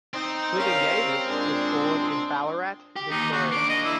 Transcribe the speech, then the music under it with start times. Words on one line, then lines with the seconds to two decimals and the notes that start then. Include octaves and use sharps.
Klibingaitis was born in Ballarat, Victoria.
0.14 C4 D#4
0.55 C3 G3 C#4 A#4 F5
1.27 A#2 G#3 D4
2.96 G4
3.11 D#2 D#4
3.32 D#2 F#4
3.52 A#3 D4 D6
3.69 D#5
3.85 E4